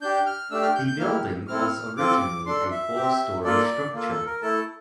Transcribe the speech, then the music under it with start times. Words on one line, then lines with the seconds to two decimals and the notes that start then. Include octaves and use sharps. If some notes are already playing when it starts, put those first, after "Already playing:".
The building was originally a four-story structure.
0.01 D4 G4 G6
0.26 F6
0.51 A3 D4 G4 E6
0.62 F6
0.75 G6
0.87 G6
0.99 A#3 E4 G4 F6
1.48 C4 E4 A4 F6
1.97 C4 F4 A4 D6
2.46 D4 A4 C6
2.71 E5
2.96 C4 G4
3.44 A#3 F4 A4 D5
3.93 A#3 F4 A4
4.09 A4
4.26 A#4
4.42 A3 E4 A4 A5